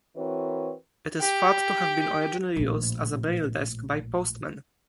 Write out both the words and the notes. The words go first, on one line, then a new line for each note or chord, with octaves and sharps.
It is thought to have been originally used as a mail desk by postmen.
E3 C4 F#4 A#4 B4 C#5
G4
A#1 A2